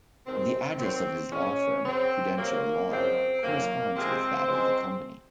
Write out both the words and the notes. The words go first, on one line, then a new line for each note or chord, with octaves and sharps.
The address of his law firm, Prudentia law, corresponds with that of the company.
C3 D#3 G#3 C4
F#2 D#3 F#3 C4
A#2 G#3 C#4
F#2 C#3 F#3 C4
C3 F#3 A#3
F#2 C#3 F3 G#3 C4
F#2 D#3 F#3 A#3
C3 F3 G#3 C4
F#2 F3 G#3